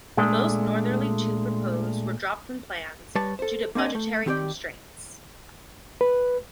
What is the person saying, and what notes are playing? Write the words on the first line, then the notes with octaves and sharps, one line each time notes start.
The most northerly two proposed were dropped from plans due to budgetary constraints.
A#2 G#3 A3 D4
G3 B4 C#5 A5
A4 C5
A#3 C4 D4 D#5 G#5
A3
D#3 C4 G4 C#5 D5 G5
B4